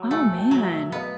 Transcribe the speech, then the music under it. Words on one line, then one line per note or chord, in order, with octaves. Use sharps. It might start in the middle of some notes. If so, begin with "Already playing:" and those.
Oh, man.
Already playing: F#3
A3 F#5 G#5
G5 A5
F#3
E5 F#5
B3 D#5 F5